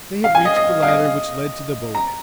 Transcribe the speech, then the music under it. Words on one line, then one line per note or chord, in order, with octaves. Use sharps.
They had reached the ladder which led to the boat.
F5
G#5
D#5
D#5
F5
D#5
A#5